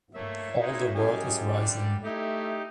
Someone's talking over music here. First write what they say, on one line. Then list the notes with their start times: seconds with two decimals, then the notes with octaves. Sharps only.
All the world is rising.
0.15 A3 A#3 C#5 E5
0.59 G#3 D#4 E4
0.95 F#2 G3 G#4 D#5 G#5
1.48 D3 F3 D5
2.03 A3 D#4 E4 G4